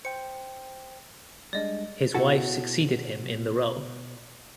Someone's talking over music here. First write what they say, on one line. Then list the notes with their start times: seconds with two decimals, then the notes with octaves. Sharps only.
His wife succeeded him in the role.
0.05 C5 G5 C#7
1.53 G3 G#3 D4 D5 D#5
2.14 B2 E4 F#4 A4